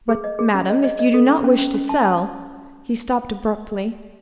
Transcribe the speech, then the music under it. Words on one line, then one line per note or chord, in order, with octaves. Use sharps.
"But, madam, if you do not wish to sell--" He stopped abruptly.
G#4
D#5
G#4
C#4
D#5
D#5
D#5
A4
C#4
C#4
C#4
C#4
A5
A5